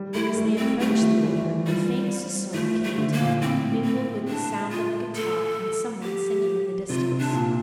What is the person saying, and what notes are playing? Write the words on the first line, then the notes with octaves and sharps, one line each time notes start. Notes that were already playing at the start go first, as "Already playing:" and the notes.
As they approached the river, the faint susurra came to them, mingled with the sound of a guitar and some one singing in the distance.
Already playing: G3
A3 E4
A3
C4
G3 A3
F3
F3
E3
E3
F3 G3
F3 A3
A3
D3
A#3
A#2
A2 C4
C4
D4
F4
A4
G4
C3 F4
C3
D4
A#2